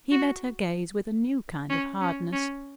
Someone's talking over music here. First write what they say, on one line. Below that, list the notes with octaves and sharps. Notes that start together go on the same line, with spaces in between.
He met her gaze with a new kind of hardness.
F#4
C#4
C#4
C#4